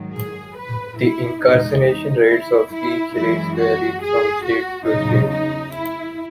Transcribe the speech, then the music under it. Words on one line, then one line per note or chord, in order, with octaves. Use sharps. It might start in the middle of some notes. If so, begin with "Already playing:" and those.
The incarceration rates of each race varried from state to state.
Already playing: G#2 D#3 F#3
G#4
B4
E4
E2 C#3 E3 G#3 D#4
D#4
E4
E4
F#2 E3 G#3 E4
F#4
G#4
F#4
E2 C#3 F#3 D#4
D#4
E4